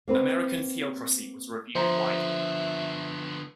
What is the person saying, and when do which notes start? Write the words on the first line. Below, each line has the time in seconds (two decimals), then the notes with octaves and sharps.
"American Theocracy" was reviewed widely.
0.08 A#3 C4 B4
1.75 D3 F3 B3 C5 E5 A#5